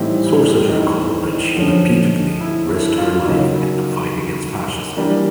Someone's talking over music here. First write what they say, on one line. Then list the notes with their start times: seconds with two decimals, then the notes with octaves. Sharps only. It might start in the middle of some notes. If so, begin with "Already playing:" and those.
Sources recall that she repeatedly risked her life in the fight against fascism.
Already playing: A2 E3 G3 C4 D#4
0.27 E4
0.70 D#4
1.54 D3 F3 A3 C#4
2.41 E4
2.69 E4
2.98 F4
3.26 C#3 F#3 A#3 D#4
4.97 E3 G3 A#3 D4